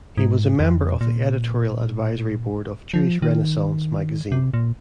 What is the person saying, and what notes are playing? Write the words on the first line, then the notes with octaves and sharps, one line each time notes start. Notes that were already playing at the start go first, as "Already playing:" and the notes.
He was a member of the editorial advisory board of "Jewish Renaissance" magazine.
G#2
F2
A#2
F3
D#3
C3
A#2